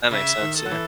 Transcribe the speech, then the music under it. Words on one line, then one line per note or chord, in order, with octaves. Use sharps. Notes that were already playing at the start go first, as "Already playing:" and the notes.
That makes sense. Yeah.
C#3 E5
D#3
A4
F#3
E3